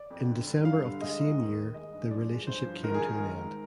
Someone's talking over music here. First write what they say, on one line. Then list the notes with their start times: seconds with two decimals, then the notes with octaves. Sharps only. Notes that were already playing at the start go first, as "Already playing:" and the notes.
In December of the same year the relationship came to an end.
Already playing: D5
0.10 F2
0.29 D3
0.47 G2
0.65 G3 F5
0.83 D3
1.01 G#3 D#5
1.20 G#2
1.38 D#2
1.56 D#3
1.74 G#3 D#5
1.93 G2
2.11 F3 D5
2.29 G#3
2.47 G2 C5
2.65 F3
2.84 D#3 A#4
2.94 G#4
3.02 D#3 A#4
3.21 G#2
3.38 G#2